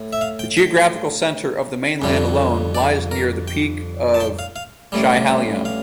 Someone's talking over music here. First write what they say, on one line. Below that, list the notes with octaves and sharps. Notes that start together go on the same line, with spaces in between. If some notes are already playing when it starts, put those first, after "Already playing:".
The geographical centre of the mainland alone lies near the peak of Schiehallion.
Already playing: A2
E5
F5
G5
G5
F2 D3 G3
D5
A#4
G5
A5
G5
F5
F5
A1 A2 G3
F5